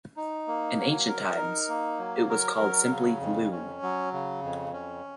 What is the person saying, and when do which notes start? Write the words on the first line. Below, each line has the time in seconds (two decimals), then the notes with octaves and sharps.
In ancient times it was called simply "Loon".
0.17 D#4
0.48 A#3
0.78 F#3
1.08 A#4
1.38 D#4
1.69 A#3
1.99 F#3
2.30 A#4
2.60 F#3
2.90 C#3
3.20 F2
3.52 C#4
3.83 F#3
4.13 C#3
4.43 F2
4.73 C#4